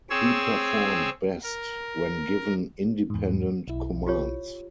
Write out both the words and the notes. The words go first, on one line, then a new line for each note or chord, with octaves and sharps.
He performed best when given independent commands.
C4 G#4 C#5 E6
A#4
E2 G#2
B1 E4
F4 G4 C#5